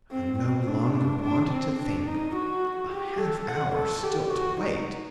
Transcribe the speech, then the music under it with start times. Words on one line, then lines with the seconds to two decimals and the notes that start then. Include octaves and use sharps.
I no longer wanted to think. A half hour still to wait!
0.11 C4
0.39 C4
0.68 D4
1.23 D4
1.51 C4
1.80 D4
2.07 D#4
2.36 F#4
2.92 G4
3.19 A4
3.48 F#5
3.76 A4
4.04 G4
4.32 F#4
4.61 D#4